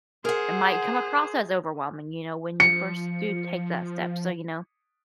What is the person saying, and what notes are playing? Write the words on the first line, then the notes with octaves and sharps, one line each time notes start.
it might come across as overwhelming, you know, when you first do take that step, so, you know,
G#4 A#4 C5 F#5
F3 C#7